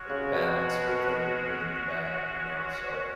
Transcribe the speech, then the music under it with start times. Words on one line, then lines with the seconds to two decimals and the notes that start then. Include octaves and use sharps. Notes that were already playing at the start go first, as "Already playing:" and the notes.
like, a balance with, like, the good and the bad, you know, so
Already playing: G#3 C#4 F#4 C#5
0.10 C#3
0.32 B2
0.52 B2